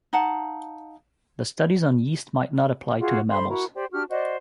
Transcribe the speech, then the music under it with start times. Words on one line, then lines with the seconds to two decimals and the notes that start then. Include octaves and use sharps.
The studies on yeast might not apply to the mammals.
0.13 D#4 F5 F#5 A5
2.99 F4 F#4 G#4
3.30 A4 C5 B5 C6
3.48 E4 F#4 A#4
3.75 G4 C5 D5 G5
3.92 D4 F#4 G4 F6
4.10 F#4 C5 D5 D#5